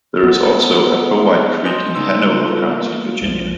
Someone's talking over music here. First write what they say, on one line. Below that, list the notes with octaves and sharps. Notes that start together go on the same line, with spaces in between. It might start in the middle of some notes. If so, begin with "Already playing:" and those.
There is also a Powhite Creek in Hanover County, Virginia.
B3
D#5 G#5 C6 D#6 G6 A#6
C#3 B3 D#4 C6 E6
G3 F4 A4 B4
A#3
B1 F#2 F3